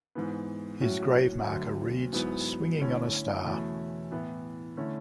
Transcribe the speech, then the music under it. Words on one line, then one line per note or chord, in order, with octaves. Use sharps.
His grave marker reads Swinging On A Star.
G#2 E3 B3
A2 F#3 C#4 F#4
D2 D3 F#3
G#2 F#3 B3 E4
D3 A3 C#4 E4
E2 B2 A3 C#4 E4
A2 E3 B3
D3 A3 C#4 E4